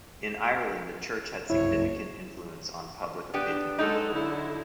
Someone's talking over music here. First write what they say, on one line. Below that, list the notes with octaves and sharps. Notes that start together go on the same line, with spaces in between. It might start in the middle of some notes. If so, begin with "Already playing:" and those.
In Ireland the church had significant influence on public opinion.
F#1 C2 G2 C3 E4 C#5
B3 D4 G4
F#3 G#3 D#4 A4
D3 E4